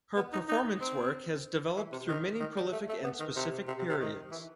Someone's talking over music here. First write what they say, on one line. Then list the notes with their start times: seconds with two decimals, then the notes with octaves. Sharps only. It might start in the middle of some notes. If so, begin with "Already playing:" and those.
Her performance work has developed through many prolific and specific periods.
0.16 B3
0.33 D#4
0.48 D#4
0.81 C4
1.76 E3
1.92 C3
2.08 D#3
2.40 D#3
2.56 G3
2.72 A3
2.88 A3
3.04 B3
3.20 D#3
3.36 C3
3.67 C3
3.78 C3
3.89 C3
4.00 D#3
4.31 E3